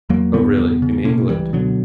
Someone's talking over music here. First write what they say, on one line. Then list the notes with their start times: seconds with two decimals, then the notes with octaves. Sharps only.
"Oh, really--in England?"
0.09 E2 F#3 A#3
0.34 C#3 G3 B3
0.58 E2
0.82 C#3
1.05 B2 A#3 C#4
1.29 C#2 E3 G3
1.53 B2 D3 F#3